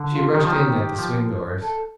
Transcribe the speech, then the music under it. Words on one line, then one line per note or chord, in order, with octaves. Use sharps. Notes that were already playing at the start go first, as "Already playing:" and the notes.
She rushed in at the swing doors.
Already playing: D3
F4
D#3 G4
F3
D#3
F3
A4